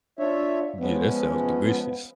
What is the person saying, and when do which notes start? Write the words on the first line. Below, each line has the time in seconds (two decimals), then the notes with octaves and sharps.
Yeah, that sounds delicious
0.19 D4 F4 C#5 E5
0.80 F3 G#3 B3 C#4